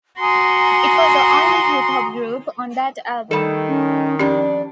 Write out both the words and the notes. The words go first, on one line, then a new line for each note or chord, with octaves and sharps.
It was the only hip hop group on that album.
F#4 G#5 A#5 C6 D#6
D#3 G3 A3 A4
C#4
F2 C#4 D4 G4 D5